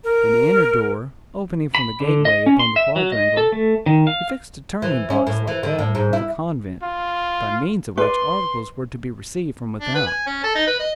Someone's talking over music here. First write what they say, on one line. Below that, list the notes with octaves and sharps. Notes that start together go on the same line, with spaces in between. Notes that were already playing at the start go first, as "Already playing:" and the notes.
In the inner door, opening from the gateway upon the quadrangle, he fixed a turning box like that of a convent, by means of which articles were to be received from without.
A#4
B5
D3
D#5
C#4
C6
E5
F#3
D#5
A4
A3
D#3
F5
E3
C#4
A2
E3
D3
A2
G#2
E4
F4
B4 D5 C6
D4
B4
G#5
C#4
A4
D#4
B4
D#5